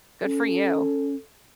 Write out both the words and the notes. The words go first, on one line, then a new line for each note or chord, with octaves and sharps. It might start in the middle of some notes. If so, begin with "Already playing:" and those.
Good for you.
C#4 A4